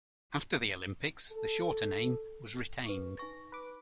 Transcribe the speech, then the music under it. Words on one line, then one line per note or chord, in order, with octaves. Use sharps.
After the Olympics the shorter name was retained.
A4
B4 C#6
D#4 G#5 C#6 A#6
B4 D6